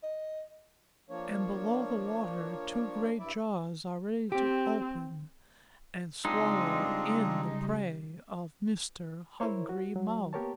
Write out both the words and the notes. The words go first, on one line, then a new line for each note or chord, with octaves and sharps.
And below the water two great jaws are ready to open and swallow in the prey of Mr. Hungry-Mouth.
D#5
F3 A#3 D4 C#5
G2 E4 D5 E5
C4 G4
C#3 G3 G#3 C4 D4 D#4 F4
E4 A#4 C5 C#5
F#4
F#3
A#3 B3 G4 A#4 C#5 A5